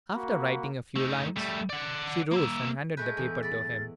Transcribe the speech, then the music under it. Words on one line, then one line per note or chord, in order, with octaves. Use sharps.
After writing a few lines, she rose and handed the paper to him.
A#3 F#4 B5
A3 D#4
G3 A3
D5 F#5
A#3 E5
G#3 A3 B4 G6
E2
D5 B5 A6